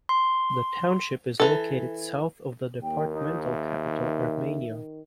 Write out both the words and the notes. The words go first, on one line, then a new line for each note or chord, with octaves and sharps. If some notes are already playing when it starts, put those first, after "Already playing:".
The township is located south of the departmental capital Armenia.
C6
E3 A4
D#2 A#3 G5
D#4
E5
D#3
D#3